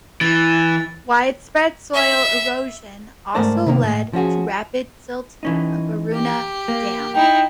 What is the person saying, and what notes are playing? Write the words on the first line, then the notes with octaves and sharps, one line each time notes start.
Widespread soil erosion also led to rapid silting of Aroona Dam.
E3 A6
E5
G#2 A3 A#4 C5 D5
C3 D#3 A#3
A2
F3 C#4 F#4 G#4
E3 C#4 D#4
G4
A#3
D#4 E4 G5